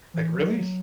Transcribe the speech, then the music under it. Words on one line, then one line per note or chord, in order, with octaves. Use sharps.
like, really?
E3
F#3